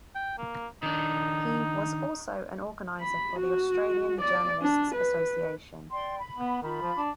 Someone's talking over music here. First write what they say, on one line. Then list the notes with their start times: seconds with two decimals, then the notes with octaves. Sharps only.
He was also an organiser for the Australian Journalists' Association.
0.15 G5
0.38 A#3
0.83 D#3 D4 D#4
3.01 B5
3.39 F#4
4.22 D5
4.62 D4
4.95 B4
5.92 D5 G5 C6
6.18 B5
6.37 B3
6.62 D#3 F4 B5
6.82 F3
6.97 D4